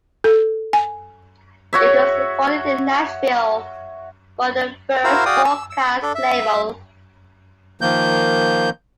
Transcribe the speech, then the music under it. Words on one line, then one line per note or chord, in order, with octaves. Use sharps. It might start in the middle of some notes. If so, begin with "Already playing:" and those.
It was recorded in Nashville for the Verve Forecast label.
A4
G#5
F#4 C#5 E5
E4 F#4 A#4 C5 F5 E6
F#4 G#4 D5 F5 G5 D#6
E6
E6
D4 A4
E5
D#3 F3 A#3 G6